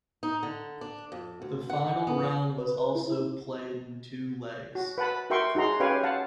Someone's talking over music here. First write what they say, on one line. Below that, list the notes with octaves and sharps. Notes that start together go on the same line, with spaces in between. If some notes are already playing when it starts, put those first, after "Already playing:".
The final round was also played in two legs.
D#4
D3
D4
F2
D2
F#5
B3
B4
B4
E4
F#4
B4 F#5 A5 B5
F#4 A#4 E5 G5 C6 C#6
D#4 F#4 G#4 A#5 C6
C#4 G4 B4 C#5 F5 G#5
F5 F#5 A5